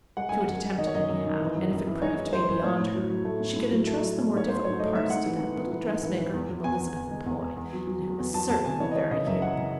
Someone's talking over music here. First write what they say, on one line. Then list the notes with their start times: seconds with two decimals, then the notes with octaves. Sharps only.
She would attempt it, anyhow, and if it proved to be beyond her, she could entrust the more difficult parts to that little dressmaker whom Elizabeth employed, and who was certainly very capable.
0.17 G#3 F#5
0.29 G#3 G#5
0.40 F#5
0.48 F#2
0.63 G#3
0.78 D#3 D#5
0.87 C#5
0.94 F#2 D#5
1.09 F#2
1.25 D#3
1.41 E3
1.56 F#2
1.71 F#2
1.87 E3
2.02 G#3 C#5
2.18 G#3
2.33 F#2 C5
2.48 F#2
2.64 A2 C#5
2.79 A2
2.95 F#3
3.10 F#3
3.25 A3
3.40 A2
3.56 A2
3.71 F#3
3.87 A3
4.02 F#3
4.17 A3
4.33 G#2 C#5
4.48 G#2 C5
4.64 F#3 C#5
4.80 A3 D#5
4.95 G#2 E5
5.10 G#2 F#5
5.26 E3
5.41 E3
5.56 E3
5.72 E3
5.87 G#2
6.03 E3
6.18 E3
6.34 E2
6.49 E2
6.64 E2 G#5
6.80 E2
6.95 E2
7.11 G#3
7.26 E2
7.41 E2
7.56 E2
7.73 F#3
7.87 F#3
8.02 F#3
8.19 E2
8.34 F#3 A5
8.50 E2 A5
8.65 C3 G#5
8.80 E3 C#5
8.91 D#5
8.95 G#3 C#5
9.11 C#3 D#5
9.27 F#2 E5
9.42 E3 F#5
9.57 C#3